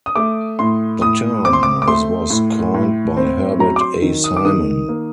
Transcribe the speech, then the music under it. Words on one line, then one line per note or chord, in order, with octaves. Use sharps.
The term is was coined by Herbert A. Simon.
D#6
A3 D6
A2 C6
A2 D#6
C4 D6
C6
D6
D6
A3 C6
A2
A2
C4
F#3 A#5
D6
C6
D#3
D#6
D6
D#3 D#6
A#3